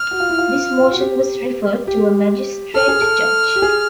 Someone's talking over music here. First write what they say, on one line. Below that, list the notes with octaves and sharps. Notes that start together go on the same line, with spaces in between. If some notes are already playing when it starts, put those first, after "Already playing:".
This motion was referred to a magistrate judge.
Already playing: F6
F#4
F4
E4
F4
F4
F#4
G4
G4
A4 F6
G#4
A4
G4
G#4